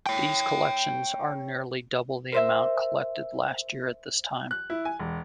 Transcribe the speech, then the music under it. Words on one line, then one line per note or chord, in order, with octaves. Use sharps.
These collections are nearly double the amount collected last year at this time.
C#5 G5
A#4 C5 E5
F#6
E4
G#5
E1